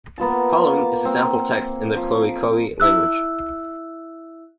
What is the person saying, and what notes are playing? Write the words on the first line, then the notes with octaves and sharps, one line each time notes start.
Following is a sample text in the Khoekhoe language.
A#3 B3 F4 A5
D6
A#3 C4 F#5
F3
E4 E5 E6 F#6